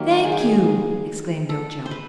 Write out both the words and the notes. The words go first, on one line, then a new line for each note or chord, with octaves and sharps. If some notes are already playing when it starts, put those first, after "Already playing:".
"Thank you," exclaimed Ojo.
Already playing: D#3 F#3 A#3 G4
G#4
G4
G#4
A4
C5
B4